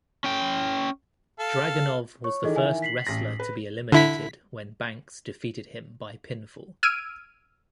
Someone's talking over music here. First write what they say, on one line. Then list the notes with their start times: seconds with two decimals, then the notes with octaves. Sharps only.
Dragunov was the first wrestler to be eliminated when Banks defeated him by pinfall.
0.24 C#4 G5
1.39 A4 F5
2.24 C#5 C#6
2.43 D#3 E3 G#4 A4 D#5
2.56 E5 G#5
2.82 B6 C7 F#7
3.07 A1 A#6
3.40 B4
3.92 D3 E4 B6
6.83 E6 F6 G#6 D7 D#7